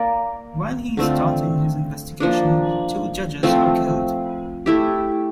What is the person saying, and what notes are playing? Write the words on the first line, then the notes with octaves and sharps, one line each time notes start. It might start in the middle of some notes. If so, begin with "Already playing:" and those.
While he is starting his investigation, two judges are killed.
Already playing: A#3 A#4 D5
D3 A3 C4 F4
F3 A#3 D4
F3 A3 C4 F4
A3 E4 G4